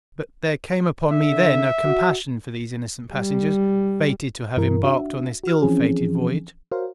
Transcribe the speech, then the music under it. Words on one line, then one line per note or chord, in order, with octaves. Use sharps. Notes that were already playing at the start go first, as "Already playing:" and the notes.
But there came upon me then a compassion for these innocent passengers, fated to have embarked on this ill-fated voyage.
D3 E5
F#4
G3
G2 E3 E4 A#4
D4 F#4 E5
F#4 F6
E3 F3 C4 C#4 G#4
F#4 A#4 C5 C#5 F5